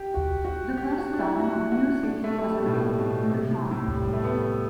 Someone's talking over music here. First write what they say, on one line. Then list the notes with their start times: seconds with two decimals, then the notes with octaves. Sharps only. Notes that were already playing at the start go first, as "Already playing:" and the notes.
The ghost town of New City was located in the town.
Already playing: G4
0.14 F#4
0.45 F#4
0.77 G4
0.98 F#4
1.13 D4
1.19 E4
1.40 F#4
1.72 F#4
2.03 D4
2.24 A3
2.38 A3
2.45 G3
2.62 B2
2.66 A2
2.99 B2
3.30 C3
3.51 A2
3.71 A2
3.92 G3
4.13 A3
4.24 B3